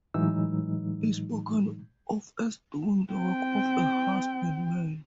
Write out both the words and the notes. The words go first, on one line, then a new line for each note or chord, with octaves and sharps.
He is spoken of as doing the work of a husbandman.
A2 E3 F#3 G#3 D#4 E6
C4 G5